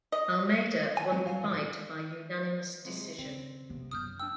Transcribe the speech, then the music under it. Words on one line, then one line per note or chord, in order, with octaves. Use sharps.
Almeida won the fight by unanimous decision.
D#5
G#5
D#2 E3 F3 G#3 C4 C#5
G#2 F4 F5 G#5
A2 D3 E3
C3 F#3 G#3
C#3 C4
C3 B3
F#1 F#3 D#6 F6 G6
D4 G5 E6